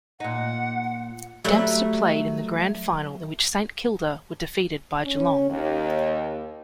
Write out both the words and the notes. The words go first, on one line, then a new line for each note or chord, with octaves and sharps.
Dempster played in the grand final in which Saint Kilda were defeated by Geelong.
A#2 D#4 F#5
F#3 G3 A3
C#4
D#2